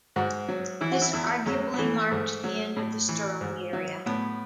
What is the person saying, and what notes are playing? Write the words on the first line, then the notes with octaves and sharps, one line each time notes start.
This arguably marked the end of the Sterling Area.
G#2 F#4
F#3
E3 E4
F#4
E4
E2 E4
F#2 G#3
B3
E3 A3
G#2 A3
F#3
A2
E3
G#2
F#3
A2 B3